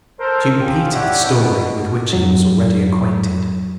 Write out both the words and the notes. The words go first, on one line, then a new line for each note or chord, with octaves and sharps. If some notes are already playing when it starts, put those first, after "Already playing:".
She repeated the story with which he was already acquainted.
A4 A#4 C5
F3 A#3 C#4 G5
D4 E4 G4 C#5 F#5
B2
F2 F#3